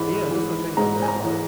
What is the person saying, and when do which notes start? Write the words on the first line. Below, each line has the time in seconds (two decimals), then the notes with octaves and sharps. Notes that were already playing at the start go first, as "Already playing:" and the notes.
And yeah, just doing things like that, like
Already playing: G#2 E3 B5
0.31 E3
0.77 G#2 A#5
1.02 G#5
1.08 A#5
1.24 E3